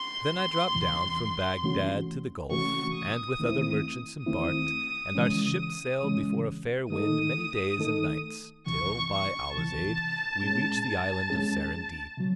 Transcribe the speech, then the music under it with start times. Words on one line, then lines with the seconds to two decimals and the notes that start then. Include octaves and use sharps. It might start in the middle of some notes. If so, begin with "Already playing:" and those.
Then I dropped down from Baghdad to the Gulf, and with other merchants embarked, and our ship sailed before a fair wind many days and nights till, by Allah's aid, we reached the island of Sarandib.
Already playing: C6
0.75 E2 C3 E3
1.63 C3 E3 A3 C#4 F#4
2.51 C3 E3 A3 C#4 F#4 C#6
2.95 D#6
3.39 D#2 D#3 A3 C4 E4
4.26 D#2 D#3 A3 C4 E4 D#6
5.15 C#3 E3 G#3 C#4
6.03 C#3 E3 G#3 C#4
6.90 D#3 A3 D#4 A4 D#6
7.78 D#3 A3 D#4 A4
8.66 C2 C3 E3 C#6
9.10 C#6
9.54 C2 C3 E3 A5
10.42 A2 G#3 C#4 G#4
11.30 A2 G#3 C#4 G#4
12.17 C3 F#3